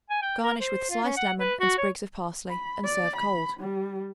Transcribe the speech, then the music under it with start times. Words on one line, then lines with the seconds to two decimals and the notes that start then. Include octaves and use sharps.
Garnish with sliced lemon and sprigs of parsley and serve cold.
0.10 G#5
0.22 G5
0.43 A#4
0.61 C5
0.90 F4
1.04 C#4
1.17 F#5
1.39 B4
1.60 F#4
1.78 C#5
2.49 B5
2.85 D5
3.16 B5
3.60 G3